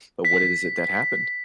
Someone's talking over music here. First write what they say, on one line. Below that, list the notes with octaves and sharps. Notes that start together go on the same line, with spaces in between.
But what it is that happened?
B6